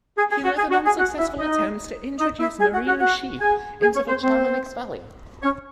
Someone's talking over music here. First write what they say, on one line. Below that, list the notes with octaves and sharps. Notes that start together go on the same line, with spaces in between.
He led an unsuccessful attempt to introduce Merino sheep into the Chamonix valley.
G#4 G#5
G#4 G#5
F#4 F#5
G#4 G#5
F#4 F#5
G#4 G#5
F#4 F#5
E4 E5
D#4 D#5
D#4 D#5
E4 E5
G#4 G#5
F#4 F#5
F#4 F#5
F#4 F#5
G#4 G#5
G#4 G#5
C#4 C#5
C4 C5
C4 C5
C#4 C#5